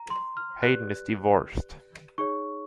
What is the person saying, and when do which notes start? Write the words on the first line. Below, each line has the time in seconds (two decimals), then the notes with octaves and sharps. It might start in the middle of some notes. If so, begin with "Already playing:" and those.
Hayden is divorced.
Already playing: A#5
0.10 C6
0.37 F6
0.62 G4 B4 D5 F#6
2.18 D#4 G#4 C#5 C#6